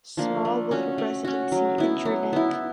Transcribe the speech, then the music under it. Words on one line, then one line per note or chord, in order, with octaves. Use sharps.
Small wood Residency in Drennec.
F3 A#3 D4
A3
C#4 F#4
A3
C#4 F#4
F#3
B3 E4
F#3
B3 E4